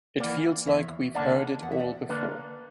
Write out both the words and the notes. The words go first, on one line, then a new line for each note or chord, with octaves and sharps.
It feels like we’ve heard it all before.
E3 A#3 D5 F#5
E2 C#5 E5
D3 A#3 D4 D5 F#5
E2 F#5
E5
D5 F#5
D3 A#3 D4 B4 D5